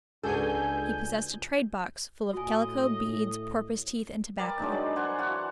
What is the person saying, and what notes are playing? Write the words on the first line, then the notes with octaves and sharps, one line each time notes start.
He possessed a trade-box full of calico, beads, porpoise-teeth, and tobacco.
C#2 D4 F#4 G#4 A4 B4 G#5 G6
A2 F#4 D#5 G#5
G3 A#4 D5 A5
F#3 G#3 D4 D#4
D5
C5 F#5 G#5 C6
E3 F#4 F5 F#5